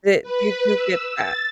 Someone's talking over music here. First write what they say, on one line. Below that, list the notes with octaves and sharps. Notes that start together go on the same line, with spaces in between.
th you do get that.
B4
E6
A6